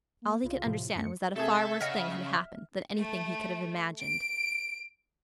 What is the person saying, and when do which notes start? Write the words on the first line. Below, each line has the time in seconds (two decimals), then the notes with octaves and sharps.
All he could understand was that a far worse thing had happened than anything he could have imagined.
0.22 A#3
0.44 C2 C#3 F4
0.66 A2 C3 F3
0.95 F#2 A3 C#7
1.36 C3 A3 G#4 A4 E5 A5
1.81 C#3 D#5 F#5 F6
2.96 A3
4.01 D7